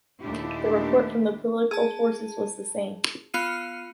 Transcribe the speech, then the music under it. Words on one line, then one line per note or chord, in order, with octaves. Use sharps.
The report from the political forces was the same.
D#2 A#2 A3 D4 E4 G4
G#4 A5
B3 F4 F5 F6 C#7 D#7